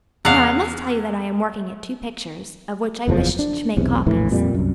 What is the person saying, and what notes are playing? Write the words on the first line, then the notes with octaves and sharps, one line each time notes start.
Now I must tell you that I am working at two pictures of which I wished to make copies.
E2 F5 F#5
F#1 E2 A#2 F3
D4
B1 E2 C3
F1 A#1 A2 E3
F2 A#2 G3
C2 F#2